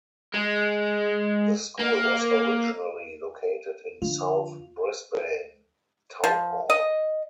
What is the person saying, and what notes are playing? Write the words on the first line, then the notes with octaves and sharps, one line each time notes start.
The school was originally located in South Brisbane Town Hall.
G#3
A#3
F2 D3 F4
F3
D#5